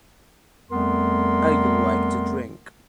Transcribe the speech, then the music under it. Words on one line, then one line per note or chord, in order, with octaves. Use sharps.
I like to drink.
F2 G3 A3 B3 A#4 C6